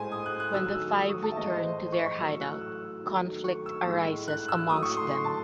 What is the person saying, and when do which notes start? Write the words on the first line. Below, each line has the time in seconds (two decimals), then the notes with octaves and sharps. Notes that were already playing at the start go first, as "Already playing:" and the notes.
When the Five return to their hideout conflict arises amongst them.
Already playing: A2 G#3 C5 G#5
0.12 D#6
0.26 F#6
0.40 F#6
0.53 D#3 F#3 A3 E6
0.74 E6
0.95 D#6
1.09 C#6
1.23 A5
1.32 E5
1.36 A2 E3 G#3 D#5
1.51 C5
1.64 C5
1.78 D#5
1.92 C#6
2.06 C#6
2.20 A2 F#3 A3 E6
2.41 F#6
2.61 E6
3.03 D#3 F#3 A3
3.44 C#6
3.66 E6
3.86 A2 G#3
4.28 F#6
4.48 E6
4.69 A2 F#3 A3 D#6
4.83 C#6
4.97 C6
5.11 C6
5.24 A5